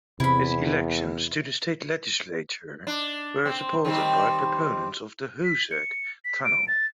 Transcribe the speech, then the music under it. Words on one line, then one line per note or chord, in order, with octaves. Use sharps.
His elections to the state legislature were supported by proponents of the Hoosac Tunnel.
E2 C3 E4 B5
D4
C4
D#3 G3 C4
B6
C#7
B6
D7
A6